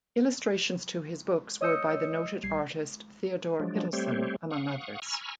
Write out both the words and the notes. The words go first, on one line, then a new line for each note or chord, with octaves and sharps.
Illustrations to his books were by the noted artist Theodor Kittelsen among others.
C#5 D#5 D#6 E6 G6 C#7
A#1 G3 G#6 C7
F3 F#3 G#3 D4
G3 A3 C4 G4 C5 C#5
F5 F#5 C#6 D#6
G#5 A#5 B5 C#6 E6 F6